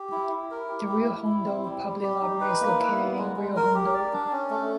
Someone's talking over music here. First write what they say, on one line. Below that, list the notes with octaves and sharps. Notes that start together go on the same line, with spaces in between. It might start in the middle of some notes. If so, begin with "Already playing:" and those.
The Rio Hondo Public Library is located in Rio Hondo.
Already playing: G4
E4
E4
A#4
G4
E4
E4
E4
C4
G3
G3
G4
D#4
B4
A#3
E4
B3
G#3
G#3
A#4
G4
D5
D4
C#4
A3